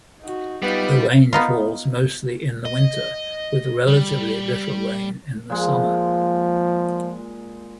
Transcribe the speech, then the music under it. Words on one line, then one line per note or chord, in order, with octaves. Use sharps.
The rain falls mostly in the winter, with relatively little rain in the summer.
D#4 F#4
G3 B3 D#4 F4
B3 D#4 F4
D#5
G3
A#2 F3 G#3